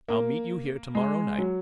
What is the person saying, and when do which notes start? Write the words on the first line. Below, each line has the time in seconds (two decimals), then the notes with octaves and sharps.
I'll meet you here to-morrow night.
0.08 A#3
0.95 G#3
1.38 F#3